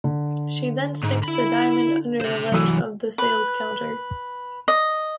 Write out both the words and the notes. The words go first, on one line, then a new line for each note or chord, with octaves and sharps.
She then sticks the diamond under the ledge of the sales counter.
D3
G#2
E4 B5
C5 E5
C2 E3 F#3 E6
B4
D#5